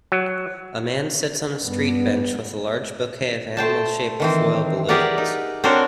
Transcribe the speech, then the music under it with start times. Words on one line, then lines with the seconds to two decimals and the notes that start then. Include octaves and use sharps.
A man sits on a street bench with a large bouquet of animalshaped foil balloons.
0.12 F#3
1.60 G2 B3
3.57 A3 C5 G5 A5
4.20 D#3 E3 C4
4.89 G4 G#4 A#4 B4 D5 F#5
5.18 D#4
5.64 C4 D4 F#4 A#4 C5 C#5